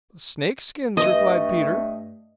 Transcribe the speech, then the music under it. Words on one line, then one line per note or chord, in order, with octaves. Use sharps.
"Snake skins," replied Peter.
G2 A3 D#5